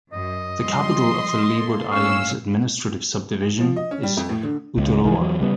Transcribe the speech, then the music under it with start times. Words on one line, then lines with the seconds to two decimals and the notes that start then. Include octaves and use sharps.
The capital of the Leeward Islands administrative subdivision is Uturoa.
0.13 F#2 D#5
0.64 F3 G3 G#3 C6
1.50 A#3 A4
1.91 A2 C#4 F5 C#6 E6
3.60 F3
3.76 D#5
3.91 C#4
4.03 G3
4.17 F2
4.29 A2
4.43 D3
4.78 C#2
5.04 C2 D#3 E3
5.18 E2 F#3
5.40 C#3 G3 B3